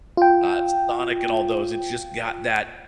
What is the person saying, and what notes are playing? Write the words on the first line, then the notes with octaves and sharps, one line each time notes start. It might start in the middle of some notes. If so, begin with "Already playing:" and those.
uh, Sonic and all those, it's just got that
F4 G5